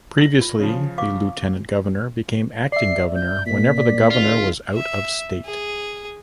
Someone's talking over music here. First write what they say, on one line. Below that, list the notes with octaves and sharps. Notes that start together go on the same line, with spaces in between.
Previously, the Lieutenant Governor became acting Governor whenever the Governor was out of state.
A#6 F#7
F4
C#3 F3
F5 C#6 D6
D5 E5 C7
G6
A#2 B6
D5
G#1 C#2 F4
E5
G#4